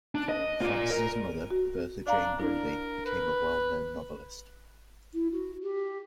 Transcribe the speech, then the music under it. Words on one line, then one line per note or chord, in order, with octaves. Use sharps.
Francis' mother, Bertha Jane Grundy, became a well-known novelist.
D4
D#5
F4 D5
A#4
F#4
D4 D5 F5 A#5
D4 E4 A#4
B4
E4
F#4
G4